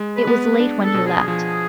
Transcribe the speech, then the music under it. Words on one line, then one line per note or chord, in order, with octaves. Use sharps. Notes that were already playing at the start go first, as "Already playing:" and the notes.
It was late when he left.
Already playing: G#3
B4
B3
B4
D4
A4
B2
G#4
F3 G#4